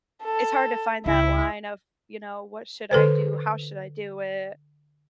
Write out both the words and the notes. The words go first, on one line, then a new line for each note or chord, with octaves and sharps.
it's hard to find that line of, you know, "What should I do? How should I do it?"
A4
C#2 E4
D3 A4 B4 C5